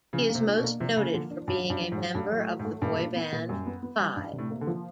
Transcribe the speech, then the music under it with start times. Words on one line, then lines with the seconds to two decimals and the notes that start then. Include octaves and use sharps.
He is most noted for being a member of the boy band Five.
0.13 C#3 F3
0.29 A#3
0.35 C3
0.46 D4
0.58 B2
0.64 A#3
0.80 C3 F3
0.97 C#3 A#3
1.14 D3 F3
1.31 D4
1.48 G2 F#3
1.63 F#3
1.70 G2
1.81 F#3
1.92 G#2
1.98 F#3
2.15 G2 A3
2.32 F#3
2.37 A2
2.48 A3
2.59 G#2
2.65 A3
2.82 G2 A#2
2.99 A#2
3.16 B3
3.32 A#2
3.49 F#2 G3
3.66 B3
3.83 B3
4.00 G3
4.16 G2 D4
4.33 C3
4.39 A2
4.51 A#3
4.61 D3
4.67 F3